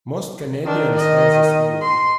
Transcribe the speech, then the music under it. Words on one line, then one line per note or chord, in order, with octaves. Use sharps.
Most Canadians have this view.
D#3 D4
D#5
C6